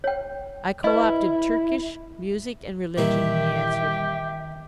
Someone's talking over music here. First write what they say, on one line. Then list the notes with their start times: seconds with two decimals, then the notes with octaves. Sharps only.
"I co-opted Turkish, Music, and Religion," he answered.
0.04 C#5 G5
0.84 E4 B4 D#5
2.98 A#2 D#3 E3 G3 E4 G4 E5